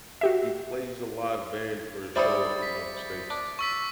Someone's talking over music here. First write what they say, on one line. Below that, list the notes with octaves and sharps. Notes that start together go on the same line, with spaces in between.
He plays a live band for a show, if I'm not mistaken.
F#4 G4 E5
G3 E4 C5 D5 D#6 A6 C#7
B6
D4
C#6 E6 B6